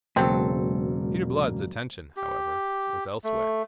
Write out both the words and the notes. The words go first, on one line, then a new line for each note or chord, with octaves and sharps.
Peter Blood's attention, however, was elsewhere.
E1 G#2 C#3 F#3 A#3 C4 A4
G4
A3